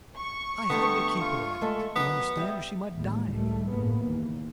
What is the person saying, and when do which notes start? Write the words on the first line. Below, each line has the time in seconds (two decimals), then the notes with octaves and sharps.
I had to keep her at it, you understand, or she might die.
0.16 C#6
0.70 D3 G3 A3 B3
1.21 F4
1.61 G#3 A3 A4
1.96 D#3 F#3 B3
2.37 G3 E5
2.93 A1 D#2 A2 G3 G#3
3.32 C#2 D#3 G3 A3
3.68 G1 A2 C#3 A#3 B3
4.03 F#1 D#2 E3